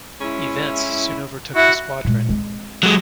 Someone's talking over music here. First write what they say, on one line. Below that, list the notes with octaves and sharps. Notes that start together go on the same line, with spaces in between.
Events soon overtook the squadron.
G#3 C#4 E4
E4 F#4 E5
A#2 G#3
G#3 C4
F#3 G#3